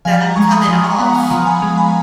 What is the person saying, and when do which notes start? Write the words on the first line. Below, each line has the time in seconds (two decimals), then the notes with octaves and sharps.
that I'm coming off
0.05 F3 F5 G#5
0.20 F#5 A#5
0.36 G#3 A#5 C#6
0.51 B5 D#6
0.67 F3 B5 D#6
0.83 A#5 C#6
0.99 B3 F#5 A#5
1.14 F5 G#5
1.30 F3 F#5 A#5
1.46 G#5 B5
1.62 G#3
1.77 G#5 B5